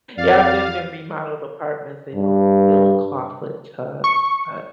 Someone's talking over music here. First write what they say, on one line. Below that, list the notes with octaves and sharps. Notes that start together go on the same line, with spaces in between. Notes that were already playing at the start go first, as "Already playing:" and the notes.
Yeah, I've lived in remodeled apartments. They don't deal in clawfoot tubs, but
F2 D5 F5
G2
C#6